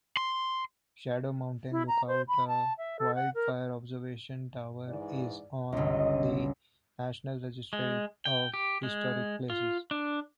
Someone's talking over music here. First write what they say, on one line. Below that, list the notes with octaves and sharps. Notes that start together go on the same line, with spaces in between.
Shadow Mountain Lookouta wildfire observation toweris on the National Register of Historic Places.
C6
E4
A#5
C5
B5
A5
E5
A4
F#5
A#4
G#2 E3 D5
G1 C#2 D#5
G#3
G5
G4
G#3
F4
D4